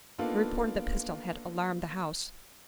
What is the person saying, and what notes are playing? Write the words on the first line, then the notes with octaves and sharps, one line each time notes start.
The report of the pistol had alarmed the house.
A#3 B3 D4 D#4 F4 A4